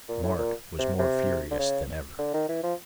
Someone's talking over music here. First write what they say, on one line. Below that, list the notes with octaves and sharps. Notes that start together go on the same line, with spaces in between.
Mark was more furious than ever.
A#2
A2
A#2
C3
C3
D3
C#3
D3
D#3
E3
F3